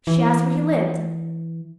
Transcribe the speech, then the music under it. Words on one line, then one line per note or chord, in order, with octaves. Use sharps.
She asked where he lived.
E3